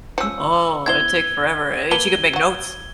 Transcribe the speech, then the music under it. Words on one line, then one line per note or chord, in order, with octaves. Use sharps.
Oh, it take forever and she could make notes.
F3 C#4 E6 C#7
B3 E4 C5 G#6 G7
A#3 B4 A5 G7
F#3 F#4